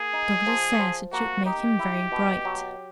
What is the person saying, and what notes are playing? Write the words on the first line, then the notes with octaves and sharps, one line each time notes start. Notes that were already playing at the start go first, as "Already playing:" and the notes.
Douglas says it should make him very bright.
Already playing: A#3 G#4
D#4
F3
F3
A#3 F#4
D#4 G4
E4
B2
F#3